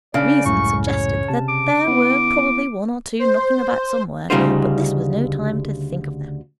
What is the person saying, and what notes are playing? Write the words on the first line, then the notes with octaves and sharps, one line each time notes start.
Reason suggested that there were probably one or two knocking about somewhere, but this was no time to think of them.
C#3 D4 D5
C#2 F#2 A2 C#6
C#5
C3 A5
D6
B3 E4
C5
D2 C#3 G3 D#4 F4 C5